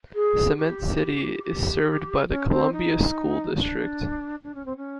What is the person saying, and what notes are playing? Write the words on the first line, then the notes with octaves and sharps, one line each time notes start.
Cement City is served by the Columbia School District.
G#4
G4
G4
G4
G4
C#4
C4
D#4
D4
D4
C#4
C4
C#4